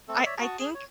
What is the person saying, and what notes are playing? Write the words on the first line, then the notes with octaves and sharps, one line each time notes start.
I I think
A3 C4 A4
C#5 D5 E5
F#4 A5 C#6 D#6
G#4
C#5